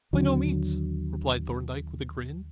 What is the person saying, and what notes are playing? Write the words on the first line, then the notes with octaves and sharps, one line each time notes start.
"By no means," replied Thorndyke, with a grin.
D#2 D3 F#3